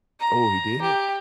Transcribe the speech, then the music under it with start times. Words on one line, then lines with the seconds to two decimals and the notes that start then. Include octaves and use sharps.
Oh, he did?
0.20 A#5
0.81 G4